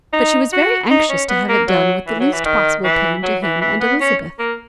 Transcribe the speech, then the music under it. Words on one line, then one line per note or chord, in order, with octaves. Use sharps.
But she was very anxious to have it done with the least possible pain to him and Elizabeth.
D#4
F#4
D#4
C#4
B3
A#3
F#3
E3
F#3
E3
D#3
E3
F#3
E3
E3
B3
C#4
A#3